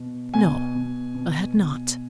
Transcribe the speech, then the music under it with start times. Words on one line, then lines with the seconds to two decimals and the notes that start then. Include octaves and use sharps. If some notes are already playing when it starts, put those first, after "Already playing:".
No, I had not.
Already playing: B2
0.34 B2 G#5
0.75 B2
1.15 B2
1.57 B2